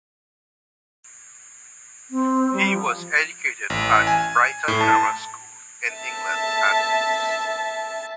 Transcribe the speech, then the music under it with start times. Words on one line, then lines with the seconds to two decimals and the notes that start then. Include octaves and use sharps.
He was educated at Brighton Grammar School in England and Lewes.
2.11 C4
2.53 G3
2.73 F3
3.70 A1
4.07 G#5
4.68 A2
4.81 A5
5.94 E5 A5